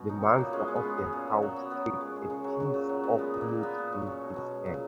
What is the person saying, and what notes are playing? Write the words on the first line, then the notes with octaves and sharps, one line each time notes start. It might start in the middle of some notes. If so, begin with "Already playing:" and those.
The master of the house takes a piece of meat in his hand.
Already playing: B2 B3 C#4
F#3 D#4
F#3
A#3
A#2 B3
G#3 C#4
G#3
B3
G#3
F#3 C#4
A#2
A#2
F#3
F#3 B3
F#3 B3
A#2
G#3
G#3
C#3
F#3
F#3
A#2
F#3
A#2
G#3 B3
A#2
A#3
A#2
A#2 B3
A#2
F#3
F#3 C#4
B2
B2
G#3
A#2